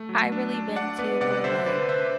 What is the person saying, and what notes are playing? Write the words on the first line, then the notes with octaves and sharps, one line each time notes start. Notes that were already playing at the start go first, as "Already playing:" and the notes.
I really been to were, like,
Already playing: A3
F#3
D4
D4
D4 D5 F#5
B3 B4 D5
C3 D5 F#5
D3 C5 E5
D3 B4 D5
D3 C5 E5